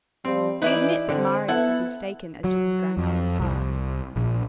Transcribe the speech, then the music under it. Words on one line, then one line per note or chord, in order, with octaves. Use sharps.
We admit that Marius was mistaken as to his grandfather's heart.
F3 G3 C4
E3 D#4 E4 B4 D5
D3 C4
B3 E4 A4 F#5
F#3
F2
C2
A#1